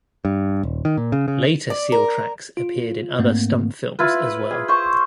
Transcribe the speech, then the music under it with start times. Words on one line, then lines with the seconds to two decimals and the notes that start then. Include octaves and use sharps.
Later Seal tracks appeared in other Stump films as well.
0.25 G2
0.63 D#1
0.85 D#3
0.97 A#2
1.12 C#3
1.28 C#3
1.70 D5
1.92 A#4
2.57 F4
3.19 G#2 A3 A#3 C4
3.99 E4 F4 B4
4.51 G#4
4.68 C5 C#6